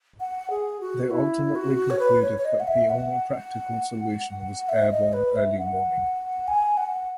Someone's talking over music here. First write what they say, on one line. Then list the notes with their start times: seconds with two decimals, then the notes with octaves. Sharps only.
They ultimately concluded that the only practical solution was airborne early warning.
0.20 F#5
0.50 G#4
0.81 F#4
1.11 E4
1.56 F#4
1.90 C#5
1.99 B4
2.22 C#5
2.38 C#5
2.45 D#5
2.60 F#5
2.67 E5
2.90 F#5
4.69 E5
4.91 D#5
5.13 B4
5.36 E5
5.58 F#5
6.48 G#5
6.77 F#5